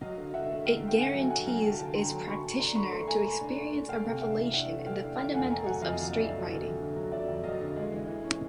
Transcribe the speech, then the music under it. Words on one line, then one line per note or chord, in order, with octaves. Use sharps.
It guarantees its practitioner to experience a revelation in the fundamentals of street fighting.
F#3 D#5 F5
D3
D3 E5 F#5
A3
D3 F5 G5
A3
G5
D3 F#5 G#5
F#3
F#3 F#5 G#5
F#3 F5 G5
D3 G5 A5
D3 G5 A5
D3 A#5 C6
F#3
D3 B5 C#6
D3
D4 A#5 C6
A3 B5 C#6
A3 A#5 C6
A3 G#5 A#5
A3
D4
A3
A3
A3 F5 G5
C3
D4 E5 F#5
E3
D4 E5 F#5
A3
E3 F5 G5
D4
A3 F5 G5
F2 F#5 G#5
A3 G#5 A#5
F#3 F#5 G#5
F2 D#5 F5
F2
D3 D5 E5
F#3
D3
F2
D3
F#3
F2 D5 E5
F2
F#3 D#5 F5
D3
G#3
E3
E3
C#4